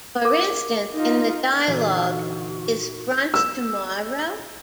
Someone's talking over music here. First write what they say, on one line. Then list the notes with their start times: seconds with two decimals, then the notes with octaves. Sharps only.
For instance, in the dialogue Is it brunch tomorrow?
0.25 A#4 D6
0.94 D#4 F4
1.67 A#2 D3 E3 B3 D#4 F#4
3.34 E6